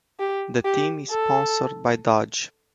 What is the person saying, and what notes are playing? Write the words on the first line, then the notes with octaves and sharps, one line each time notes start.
The team is sponsored by Dodge.
G4
G4
A4